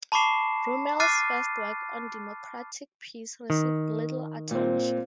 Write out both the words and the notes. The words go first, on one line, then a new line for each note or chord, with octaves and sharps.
Rummel's first work on democratic peace received little attention.
A5 B5 C#6 D6 C7 E7
D6 F6 F#6 A6 C7 D#7
D#3
A#2 C4